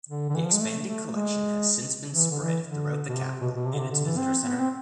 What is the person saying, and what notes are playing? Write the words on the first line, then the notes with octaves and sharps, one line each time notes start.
The expanding collection has since been spread throughout the Capitol and its Visitor Center.
D3
D3
E3
F3
G#3
A3
A3
G#3
E3
D3
E3
D3
B2
C3
B2
B2
C3
D3
C3
D3
E3
C4
B3
C4